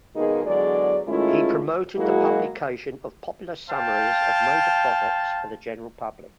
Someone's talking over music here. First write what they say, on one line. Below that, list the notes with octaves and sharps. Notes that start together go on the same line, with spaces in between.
He promoted the publication of popular summaries of major projects for the general public.
B2 D#3 G#3 A#3 D#4 G#4
E2 D3 F#3 G#3 D5
D#3 G#3 A3 C#4 E4 F4
F#3 G#3 A#3 E4 F#4 G#4
C5 F5 G5 A5